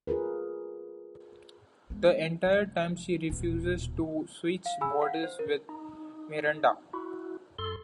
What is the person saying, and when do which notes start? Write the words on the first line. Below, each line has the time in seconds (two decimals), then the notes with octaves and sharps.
The entire time she refuses to switch bodies with Miranda.
0.07 F4 G#4 A#4 B4
1.90 G#3 B3
2.46 F1
3.30 D#1 B2
4.66 F5
4.81 G#4 G#5 B5 E6
5.02 F5 F#5
5.23 C5
5.39 A#4
5.69 D#4
6.93 E4 F#4
7.59 F#2 A4 C6